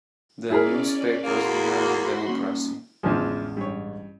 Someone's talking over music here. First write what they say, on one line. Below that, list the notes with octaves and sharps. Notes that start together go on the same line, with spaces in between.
The newspapers demanded democracy.
C#4 E4 G#4 A#4 D5
E2 A#3 F#4 B5 C6
A#3 C#4 D#4
A1 E2 D3 F3 G#3
G2 C#5